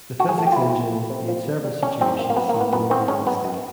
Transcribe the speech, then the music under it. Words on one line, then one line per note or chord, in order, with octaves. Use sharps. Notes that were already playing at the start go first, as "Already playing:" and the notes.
The physics engine made several situations seem more realistic.
A3 F#4
G#4
A3 A4
G4
F4
F3 E4
A3
A3
C3
F3
C3
G3
G3 C#4
F#2 C4
A#3
A#3
F#2 B3
A#3
D#3
B3
F#2 B3
D#3 C4
G#3 C#4
F#2 B3
F#2